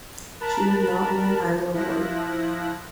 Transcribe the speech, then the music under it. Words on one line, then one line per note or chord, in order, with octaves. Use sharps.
She did not win either award.
A#4 A5 B5 F#6
F3 E4 F#6 A#6